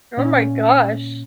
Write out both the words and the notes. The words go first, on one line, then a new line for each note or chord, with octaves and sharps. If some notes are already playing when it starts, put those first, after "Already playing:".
Oh my gosh.
A#2 C#4